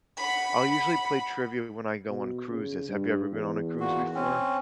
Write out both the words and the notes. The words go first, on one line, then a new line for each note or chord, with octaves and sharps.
I'll usually play trivia when I go on cruises, have you ever been on a cruise before?
F#5 B5
B2
C#3
G2
E2
A#2 F#4
C4 C#4